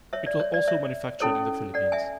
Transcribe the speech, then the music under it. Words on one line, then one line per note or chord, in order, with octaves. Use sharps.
It was also manufactured in the Philippines.
C#5 E5
D5
C#5
D5
C#5 E5
C#4 E4 A4 C#5
D5 F#5
E5 G#5